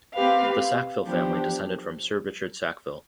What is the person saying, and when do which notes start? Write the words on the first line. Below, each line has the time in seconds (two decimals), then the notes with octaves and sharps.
The Sackville family descended from Sir Richard Sackville.
0.13 C4 G4 B4 F5
1.04 F3 B3 D4 G4 C5